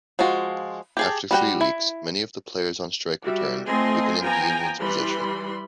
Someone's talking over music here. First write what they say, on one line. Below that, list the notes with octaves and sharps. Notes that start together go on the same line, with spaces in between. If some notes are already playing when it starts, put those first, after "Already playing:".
After three weeks, many of the players on strike returned, weakening the union's position.
F3 G#3 F4 F#4
G4 G#4 A5
G3 F#4 G5
E4
G3 F#4 E5
A3 C4 F4 D#5 G#5 C6
F3 B3 G5 G#5 A#5
E3 G3 B5 C6